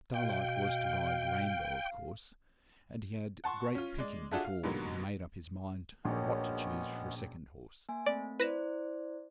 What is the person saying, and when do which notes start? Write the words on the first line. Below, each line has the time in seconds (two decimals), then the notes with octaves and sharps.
Starlight was to ride Rainbow, of course, and he had great picking before he made up his mind what to choose for second horse.
0.14 B2 F5 G5
3.44 F#5 A5 C6 C#6
3.75 C#4 F4
3.98 G#3 D5
4.32 D4 F4 F#4 G#4 A4 E5
4.44 F5
4.63 G#2 B2 D3 F#3 G3 A#3
6.05 A#1 F#2 G#3 B3 C#4 G#4 C#5
7.89 A#3 G#5
8.06 A3 C4 D5
8.40 E4 B4 C5 D5 A#6 E7